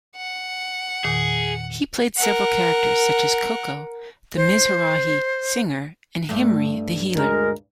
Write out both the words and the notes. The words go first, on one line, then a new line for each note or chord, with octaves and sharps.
He played several characters such as Coco the Mizrahi singer, and Himri the healer.
F#5
E2 A#2 D#3 G#4
A#4 F#5
C5
G2 A3
D2 G#3 A#4